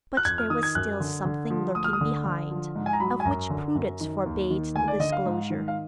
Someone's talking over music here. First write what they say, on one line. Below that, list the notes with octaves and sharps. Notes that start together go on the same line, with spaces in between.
But there was still something lurking behind, of which prudence forbade the disclosure.
F#6
F2 G#6
F6
D#3 D#6
G#6
F#2 F#6
D3
D3
F3
D2 D#6
F6
D#6
D3
D3
F3
G#2
G#5
A#5
F#3 B5
G#5
F#2 A#5
D3
F#2
D#3
D#2
D#3
D2 G#5
D5
D3 D#5
F5
G#2
D#3
F5